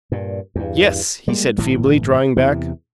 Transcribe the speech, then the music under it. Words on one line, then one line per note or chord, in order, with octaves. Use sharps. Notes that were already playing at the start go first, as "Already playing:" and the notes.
"Yes," he said, feebly, drawing back.
G2 A#2
E2 G2
G3 G#3 A#3
G1 A2 E3
E2 C3 E3